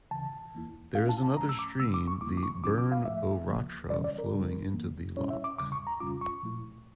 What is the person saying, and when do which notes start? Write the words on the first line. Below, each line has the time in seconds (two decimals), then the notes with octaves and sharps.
There is another stream, the "Burn o' Rattra" flowing into the loch.
0.11 D2 C#3 E3 A5
0.53 E2 E3 A#3 E4
0.95 A#2 A3 C#4 E4 F5
1.09 A5
1.23 A5
1.37 A2 F3 A3 C#4 A#5
1.49 E6
1.59 D6
1.79 C#3 G3 A#3 E6
1.94 D6
2.07 C#6
2.21 D3 G3 A#3 E4 D6
2.37 D6
2.43 C#6
2.64 C#3 F3 C#4 F4 D6
2.78 D6
2.92 F5
3.05 A2 F3 A3 E5
3.48 C#3 F3 A#3
3.90 C#3 E3 G3 C#4 D5
4.04 D5
4.18 A#4
4.32 D2 C#3 G3 D4
4.74 A2 E3 A#3
5.16 A2 G3 C#4 E4 C#5
5.30 E5
5.44 D6
5.58 E2 C#3 G3 D6
5.72 C#6
5.87 A#5
6.00 F2 C#3 G3 C#4 F4 D6
6.21 C#6
6.43 A#2 F3 A3 E4